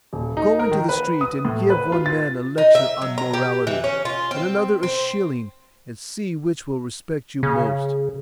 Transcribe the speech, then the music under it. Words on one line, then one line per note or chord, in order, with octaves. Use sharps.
Go into the street, and give one man a lecture on morality, and another a shilling, and see which will respect you most.
D#1
D#4
A#4
D#3
B4
D#6
A2
B4
F4
A6
D#4
E5
F#3
A#5
G4
E3
C#4
F4
C4
C4
C#3